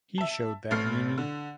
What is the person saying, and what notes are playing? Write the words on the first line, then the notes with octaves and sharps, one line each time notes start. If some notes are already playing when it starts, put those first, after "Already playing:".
He showed that meanie!
E5 A5
A1 A3 F6 C7
D3